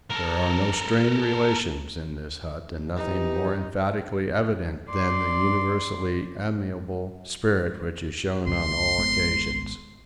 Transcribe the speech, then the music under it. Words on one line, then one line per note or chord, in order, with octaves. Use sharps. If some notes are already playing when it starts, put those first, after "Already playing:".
There are no strained relations in this hut, and nothing more emphatically evident than the universally amicable spirit which is shown on all occasions.
A4 A#4
E3 D#4 G4
D5 C6
C#2 C6
G#1 G#3 B3